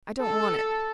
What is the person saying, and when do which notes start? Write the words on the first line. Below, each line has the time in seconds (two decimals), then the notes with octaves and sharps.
I don't want it.
0.21 A4